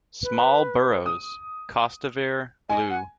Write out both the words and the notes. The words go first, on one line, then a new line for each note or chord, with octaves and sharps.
Small boroughs: Kostivere, Loo.
B4
D#6
D#5 G#5
F#5